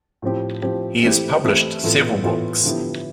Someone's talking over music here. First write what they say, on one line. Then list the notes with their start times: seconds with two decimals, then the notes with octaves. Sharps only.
He has published several books.
0.22 A2 F3 C4 G4
0.62 A2 F3 C4 G4
1.03 E3 A3 C4 E4 G4
1.43 E3 A3 C4 E4 G4
1.83 A2 E3 B3 F4 A4
2.24 A2 E3 B3 F4 A4
2.64 D3 F3 B3 E4 G4